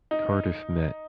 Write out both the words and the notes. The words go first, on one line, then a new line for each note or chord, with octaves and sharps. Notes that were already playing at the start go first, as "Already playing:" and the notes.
Cardiff Met.
D#4